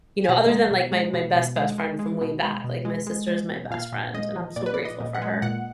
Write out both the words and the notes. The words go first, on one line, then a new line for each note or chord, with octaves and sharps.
You know, other than like my my best best friend from way back, like my sister is my best friend and I'm so grateful for her.
G#5
B2 A#5
G#3
B2
G#3
B2
B2
G#3
G#3
G#3
B2
G#3
B2
G#3
G#3
G#3
B2
A#2 F5
A#2
G#3 D#5
F3
A#2 D5
B4
D5
A#2
D#5
A#2
F#5
G#3
A#2 F#5